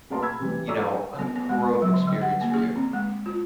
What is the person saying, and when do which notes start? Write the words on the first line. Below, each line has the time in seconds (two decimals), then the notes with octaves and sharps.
you know, a growth experience for you.
0.10 B2 A#3 B3 A#4 A5 C6
0.22 B5 E6 G#6
0.40 C3 E3 G3
0.67 A4 D5 E5 A#5 C#6 E6
1.19 B3
1.36 B3
1.49 G#3
1.82 F#3
1.93 D3
2.07 G3
2.21 F#5
2.41 A#3
2.54 G#4
2.76 C4
2.93 G#3
3.26 F4